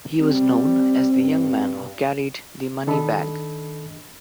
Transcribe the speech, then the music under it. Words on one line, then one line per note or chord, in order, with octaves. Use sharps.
He was known as the young man who carried the money bag.
G3 C4
G2
D#3 D4 A4 D#5 B5